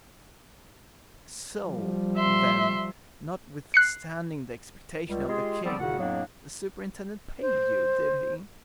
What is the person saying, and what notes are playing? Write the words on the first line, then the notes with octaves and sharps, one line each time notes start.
"So, then, notwithstanding the expectation of the king, the superintendent paid you, did he?"
F3 G3
E5 C6
F#6 C7 C#7
C#2 G3
G#3 F4 G4 G#4
F3 G3 B3 C4 G#4 D5
C2 A#2 C#3 F#4 F#5
F2 A2 F#3 A#3 B3 D4
C5